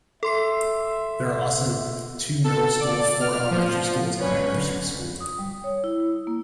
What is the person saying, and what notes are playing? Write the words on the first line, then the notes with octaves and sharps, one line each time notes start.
There are also two middle schools, four elementary schools, and a nursery school.
A4 E5 C6 C7
A4
D5
F6
F3
D3 F#3 C#4 B4 C#5
D3
D#6
G3
C#5
E4
E4
A#3